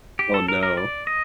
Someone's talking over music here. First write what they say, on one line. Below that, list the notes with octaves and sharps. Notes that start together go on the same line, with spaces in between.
Oh, no.
G4
A4
A#4
A#4
D5
D#5